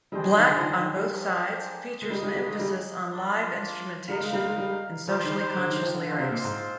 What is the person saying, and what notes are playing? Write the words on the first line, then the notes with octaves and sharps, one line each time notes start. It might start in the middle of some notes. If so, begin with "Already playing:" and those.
"Black on Both Sides" features an emphasis on live instrumentation and socially conscious lyrics.
G3 D4 G#4 C5 D#5 G5
G3
D#3
D3
F3
D#3
D#3
G3
A#3 D4 G#4 C5 G5
G#3
G3 A#3 D#4 G#4 D#5
G3
G3
G#3
G3
A#3 D4 F4
G3 D#4 A#4 F5
G#3
G3
G#3
G3
F3 D#4 G4 C5
D#3
D3
D#3
F3
D3
D3 G#3 C4 F4 C5 F5
C3
A#2
G#2